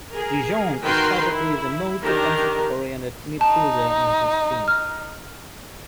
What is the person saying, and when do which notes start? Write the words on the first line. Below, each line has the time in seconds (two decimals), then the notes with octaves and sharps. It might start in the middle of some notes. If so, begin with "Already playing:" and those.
De Jong is typically the most defensively oriented midfielder in his team.
0.12 G#4 A#4
0.82 D#3 F#4 A#4 B4 G5 C6
1.28 E4
2.03 D#3 D4 G4 A#4
3.41 D#4 A5
4.68 F6